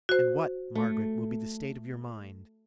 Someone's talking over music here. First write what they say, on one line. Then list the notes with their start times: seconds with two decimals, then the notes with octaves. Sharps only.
And what, Margaret, will be the state of your mind?
0.09 F#4 C5
0.75 A3